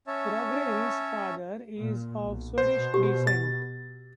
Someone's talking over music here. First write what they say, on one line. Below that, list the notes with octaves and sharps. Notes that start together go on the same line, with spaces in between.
Brogren's father is of Swedish descent.
C#4 C#5 E5 A5
A#2
B1
B2 C5
G4
A6